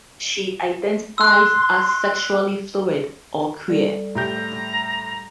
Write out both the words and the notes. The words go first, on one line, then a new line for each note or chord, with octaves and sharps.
She identifies as sexually fluid or queer.
C6 E6 F#6
G3 A4 D5
A2 G4 A#5 G6